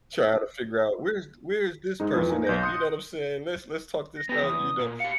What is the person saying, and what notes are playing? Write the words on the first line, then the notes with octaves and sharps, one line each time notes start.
Trying to figure out "Where's where's this person at?" You know what I'm saying, let's let's talk this out, you know,
G#2 G#3 D#4
F2 E3 F3 B4
A#3 D#4 A#4 G#5
B1 G6 A#6
C6 D#6 F#6 C#7
A#6
B3 G4 A#6
E2 D#6
A#2
G4 F5 C#7